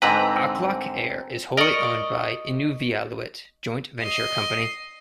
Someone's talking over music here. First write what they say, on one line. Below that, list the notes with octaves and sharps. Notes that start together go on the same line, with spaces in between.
Aklak Air is wholly owned by Inuvialuit Joint Venture Company.
G#2 D3 C4 B4 A#5
A#4 D5 D#5 C#6
D#5 C7